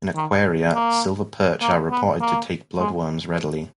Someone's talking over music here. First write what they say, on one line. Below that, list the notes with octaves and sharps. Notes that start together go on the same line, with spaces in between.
In aquaria, silver perch are reported to take blood worms readily.
D#3
A#3
A#3
B3
A#3
G#3